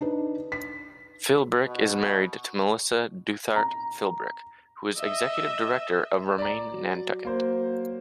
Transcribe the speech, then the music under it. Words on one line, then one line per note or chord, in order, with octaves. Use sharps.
Philbrick is married to Melissa Douthart Philbrick, who is Executive Director of Remain Nantucket.
D4 D#4 B4
B6
B2
A#5
D#5 E5
D5 A#5
F#3
A#3 C5